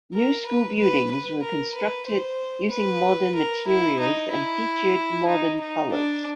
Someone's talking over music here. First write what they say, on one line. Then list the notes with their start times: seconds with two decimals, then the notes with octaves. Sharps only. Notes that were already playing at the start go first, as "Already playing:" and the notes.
New school buildings were constructed using modern materials and featured modern colours.
0.14 A#4
0.47 B4
0.79 B4
1.11 B4
1.43 A#4
1.75 B4
2.07 C5
2.71 B4
3.35 A#4
3.67 E4
4.00 D#4
4.31 E4
5.27 D#4
5.60 D#4
5.92 D4